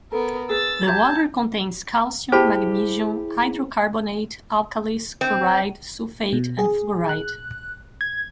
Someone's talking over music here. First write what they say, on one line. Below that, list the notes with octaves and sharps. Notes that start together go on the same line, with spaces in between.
The water contains calcium, magnesium, hydrocarbonate, alkalis, chloride, sulfate and fluoride.
B3 A4 A#4
G#4 B4 E6 A6
G4 E5 A5 A#5 G6 G#6
E4 G4 G#4 C5 A5 B5
C4
B2
G#4
F#6
G#6